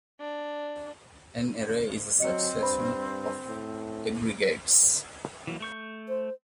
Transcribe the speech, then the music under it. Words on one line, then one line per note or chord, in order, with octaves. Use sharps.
An "array" is a succession of aggregates.
D4
F#3 C4 D#5 C#7
G2 C5 B5
A2
E3 F#3 A#3
A3 C#6 G6
C5